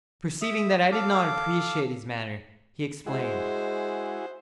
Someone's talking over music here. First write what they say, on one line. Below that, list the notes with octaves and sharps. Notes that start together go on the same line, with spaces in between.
Perceiving that I did not appreciate his manner, he explained.
E5 D#6
A4 F5 D6
G#3 E4 F#4 G#4 C5